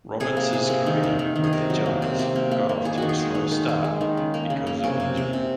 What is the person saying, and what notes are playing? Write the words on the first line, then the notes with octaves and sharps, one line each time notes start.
Roberts's career with the Giants got off to a slow start because of injury.
C3 G#4
A#3
C3 G#4
A#3
D#3
D#3
D#3
D#3
G#4
C3 A#4
F#3
A#3
C3
C3
A#3
A#3
A#3
D#3 G#4
D#3 F#4
G#4
G#3
D#3
D#3
G#3
G#3
D#3
C#3
A#3
C#3
A#3
C3 C#4
C3
C3
C3